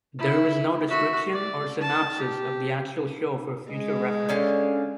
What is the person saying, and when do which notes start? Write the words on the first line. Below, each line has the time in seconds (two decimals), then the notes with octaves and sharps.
There was no description or synopsis of the actual show for future reference.
0.19 E4
0.89 F#4 E5
1.32 D5
1.81 A5
2.17 G4
3.72 G#3
4.29 D3 C#4 F5